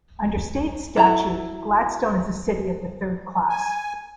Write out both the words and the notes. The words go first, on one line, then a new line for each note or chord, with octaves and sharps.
Under state statute, Gladstone is a city of the third class.
F#3 E4 A4 A#5
G#5